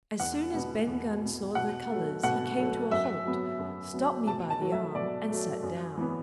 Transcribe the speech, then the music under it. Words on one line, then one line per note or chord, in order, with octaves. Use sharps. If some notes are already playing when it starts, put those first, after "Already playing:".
AS soon as Ben Gunn saw the colours he came to a halt, stopped me by the arm, and sat down.
E2 F#5
B2 B3
E2
B2 B3
B2 F#5
F#3 A3
B2 F#5
F#3 A3
F#2 E5
F#3 B3
F#2
F#3 B3
B2 A5
A5
F#3 A3
E5
B2 D5
F#3 A3
F#2
E3 B3